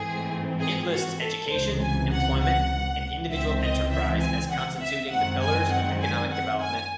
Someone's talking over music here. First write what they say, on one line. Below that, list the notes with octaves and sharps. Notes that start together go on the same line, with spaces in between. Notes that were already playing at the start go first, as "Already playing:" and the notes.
It lists education, employment and individual enterprise as constituting the pillars of economic development.
Already playing: G#2 E3 A3 C4 G#4
G#4
F#4
A4
C#2 C3 E3 C5
G#5
F#5
F#5
C#2 C3 E3 C4 E5
D#5
E5
G#5
F#5
E5
F#2 D#3 G#3 C4 F#5
G#5
F#5
G#5
F#5
G#5